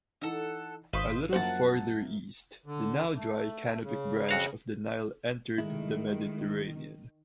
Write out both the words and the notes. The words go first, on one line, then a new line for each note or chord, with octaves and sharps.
A little farther east, the now-dry Canopic branch of the Nile entered the Mediterranean.
E3 D#4 A4 F#5
G#1 B4 C5 D#5 F5 C#6
F#2 F3 A#3 C5 F#5 G5 A5
D3
A3
C#3
F2 F#4 F5
D#3 G#3 A3 E4